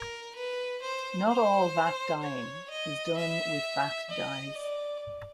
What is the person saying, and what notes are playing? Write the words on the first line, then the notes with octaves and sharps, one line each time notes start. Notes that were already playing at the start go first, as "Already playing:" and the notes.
Not all vat dyeing is done with vat dyes.
Already playing: A#4
B4
C5
C5
C#5
D#5
E5
D#5
D5